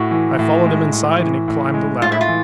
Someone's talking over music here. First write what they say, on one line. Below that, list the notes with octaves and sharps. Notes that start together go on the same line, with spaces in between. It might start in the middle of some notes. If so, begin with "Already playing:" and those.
I followed him inside and he climbed the ladder.
Already playing: A2 F#4
E3
A2
G#3
A2
E3
A2
G#3
A2 F4
E4
F4
E3